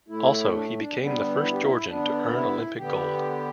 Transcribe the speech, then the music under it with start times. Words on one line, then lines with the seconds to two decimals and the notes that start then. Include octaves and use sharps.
Also, he became the first Georgian to earn Olympic Gold.
0.08 A2 A3 E4
0.53 D4
0.78 D4
0.98 D3 G3 B3
1.43 E4
1.52 G4
1.61 E4
1.88 D3 B3 D4
2.33 E4
2.77 D3 B3 G4